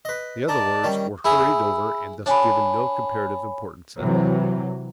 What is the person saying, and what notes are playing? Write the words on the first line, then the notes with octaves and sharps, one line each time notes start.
The other words were hurried over and thus given no comparative importance at all.
B4 D#5
D#4 A#4 D5 A5
D#3 G3 C#4
E4 G#4 E5 B5 E6
D4 C#5 G#5 B5
C3 E3 F#3